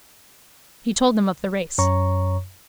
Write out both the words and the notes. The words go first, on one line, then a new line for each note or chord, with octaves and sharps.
He told them of the race.
F#2 C#5 A#5 C#6